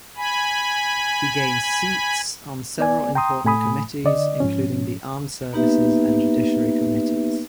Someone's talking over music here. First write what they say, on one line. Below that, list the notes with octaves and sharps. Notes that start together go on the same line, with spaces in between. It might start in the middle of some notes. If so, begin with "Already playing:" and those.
He gained seats on several important committees, including the Armed Services and Judiciary Committees.
G#5 B5
B3 D5 G#5
G5 A#5 C6 D#6
A2 A3 G#5 B5 D#6
D3 D5 D#5
G#2 F3 C#4
A#3 B3 D#4 G4 B4 E5